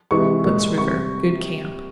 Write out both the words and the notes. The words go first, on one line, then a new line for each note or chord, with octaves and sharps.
Soot's River.--Good camp.
C3 E3 G#3 C#6
A#2 G#3
C3 G3 C#6